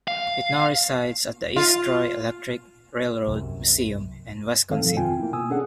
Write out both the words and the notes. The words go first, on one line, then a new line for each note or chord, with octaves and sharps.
It now resides at the East Troy Electric Railroad Museum in Wisconsin.
F5
F4
C2 F#2
F#2 D#3 C4 A4 F5
G2 B2 F3
F2 C4 F4 G5 G#5
A#3 E4
B2 G#5 D#6 E6
C#4 D4 G#4 A4 F#5